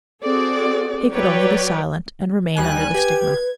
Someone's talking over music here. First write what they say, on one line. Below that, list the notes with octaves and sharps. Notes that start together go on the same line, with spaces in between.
He could only be silent and remain under the stigma.
C4 F#4 G#4 A4 D5
F#3 B4 C#5 D5 G5
D#2 G3 G#5 F#6
G4 B4 G#6